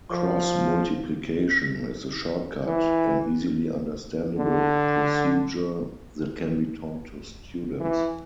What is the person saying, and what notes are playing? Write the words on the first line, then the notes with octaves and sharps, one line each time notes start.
Cross-multiplication is a shortcut, an easily understandable procedure that can be taught to students.
F3
E3
D3
E3